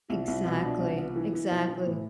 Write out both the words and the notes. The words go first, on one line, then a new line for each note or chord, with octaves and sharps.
Exactly, exactly.
C2 F4
C2
B2
D4
C2
B3
E3
E3
B1
E3
A2